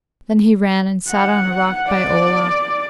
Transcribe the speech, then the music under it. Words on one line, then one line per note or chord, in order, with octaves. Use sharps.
Then he ran and sat on a rock by Olaf.
F#5
D5